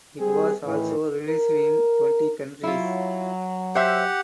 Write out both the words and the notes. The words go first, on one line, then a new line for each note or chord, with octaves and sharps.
It was also released in twenty countries.
G3 C4 G#4
A2 D#3 E3
A#4
F#3 E4 F4
G4 C5 E5 F#5